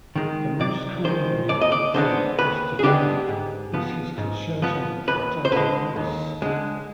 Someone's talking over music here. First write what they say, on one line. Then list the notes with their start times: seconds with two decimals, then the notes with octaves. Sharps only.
The most commonly performed piece today is his concerto for double bass.
0.16 D#3 G#3
0.60 C3 D5
1.04 D#3 G#3 C5
1.49 D#2 D5
1.61 D#5
1.72 D5
1.94 D3 G#3 B3 D4 C5
2.39 D#2 B4
2.79 G#4
2.83 D3 G#3 B3 D4 G4
3.28 G#2
3.74 F3 B3
4.18 G#2
4.62 F3 B3
5.07 D#2 B4
5.45 C5
5.52 D3 G#3 B4
5.96 D#2
6.42 D3 G#3